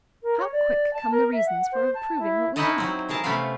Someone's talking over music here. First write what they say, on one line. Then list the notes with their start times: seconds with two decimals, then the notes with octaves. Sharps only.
How quick come the reasons for approving what we like!
0.23 A#4
0.38 C#5
0.52 D5
0.93 A5
1.11 A#4
1.32 E5
1.46 F#5
1.72 C5
1.94 A5
2.19 E4
2.56 C#4 D#4 E4 C#5 D#5 A5
2.78 F#3 C4
3.09 E3 G#4 A#4 A5
3.24 C3 A3 B3 C#4 F4 F5